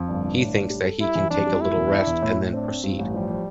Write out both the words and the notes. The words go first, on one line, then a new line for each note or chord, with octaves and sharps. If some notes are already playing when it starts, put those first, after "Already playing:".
He thinks that he can take a little rest and then proceed.
Already playing: F2
G1 D4
G1
A2
A2
G3
A4
G3 E4
E3
F2 D4
G3
A3 E4
E2
D4
E2
A2
A2
C4 D4
C4
G2
A1
F3 G3
F3